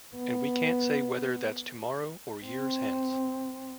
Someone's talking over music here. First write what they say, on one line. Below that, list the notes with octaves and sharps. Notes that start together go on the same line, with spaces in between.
And we can't say whether that's tomorrow or years hence.
B3
C4